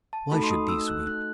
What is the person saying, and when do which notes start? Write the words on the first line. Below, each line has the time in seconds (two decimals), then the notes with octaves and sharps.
Why should these weep?
0.13 A5
0.31 A3 D#4 F#4 A4 B5
0.43 C6
0.51 D#6
0.69 E6
0.88 F#6
1.07 F#6